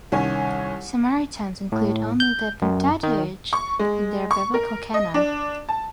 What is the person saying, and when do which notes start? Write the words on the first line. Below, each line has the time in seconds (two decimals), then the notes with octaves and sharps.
Samaritans include only the Pentateuch in their biblical canon.
0.12 C2 D#3 C#4 C#5 G#5
1.72 A2
2.20 G6
2.62 F#2
3.03 D#3
3.53 C#6
3.79 G#3
4.31 C#6
4.54 A#4
4.94 D#5
5.14 D4
5.69 A5